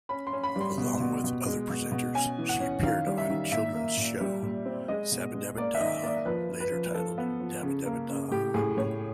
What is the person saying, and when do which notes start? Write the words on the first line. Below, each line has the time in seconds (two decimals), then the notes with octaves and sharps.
Along with other presenters she appeared on children's show "Sabadabada", later titled "Dabadabada".
0.09 C#4 B5
0.27 C6
0.33 C#4
0.43 B5
0.56 G3 C6
0.78 B2
1.00 B2
1.24 B2
1.46 G#3
1.70 B2
1.92 B2
2.14 C#4 G#5
2.38 E3
2.49 F#5
2.60 C#4
2.84 D#3 F5
3.07 G3
3.18 E5
3.29 D#3
3.51 A#2 E5
3.75 A#3
3.97 A#2
4.20 G3
4.43 A#2
4.66 C4
4.88 G#3 D#5
5.12 B2
5.34 G#3
5.57 A#3 D5
5.74 E5
5.80 D#3 D#5
6.03 A#3 D5
6.25 F3 B4
6.49 F3
6.60 B4
6.72 F3
6.94 F3 A4
7.18 B3
7.40 F3
7.63 C#3
7.86 A#3
8.09 C#3
8.31 A2 G4
8.54 A2 G#4
8.77 A2 C#5